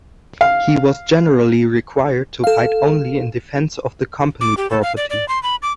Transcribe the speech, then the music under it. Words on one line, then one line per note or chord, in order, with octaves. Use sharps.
He was generally required to fight only in defence of the company property.
F5
A4 F5
D6
G4
A4
F5
D5
D5
C6
B5
D6